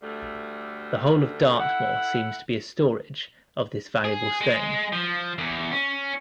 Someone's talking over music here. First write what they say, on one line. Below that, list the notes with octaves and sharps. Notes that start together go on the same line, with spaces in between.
The whole of Dartmoor seems to be a storage of this valuable stone.
D2 G3 A3
E4 A4 F#5
G#4
G#3
F3
E2
C#4